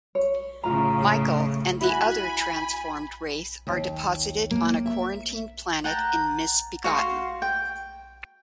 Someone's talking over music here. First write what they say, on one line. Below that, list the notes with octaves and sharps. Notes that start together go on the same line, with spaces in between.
Michael and the other transformed Wraith are deposited on a quarantined planet in "Misbegotten".
C#5
A2 C#3 F4 A#5
E4 F#4 G#5 B5
D#2
A#3
E5
F#5 G5 A5 A#5
F#4 F5 G5 C6
G5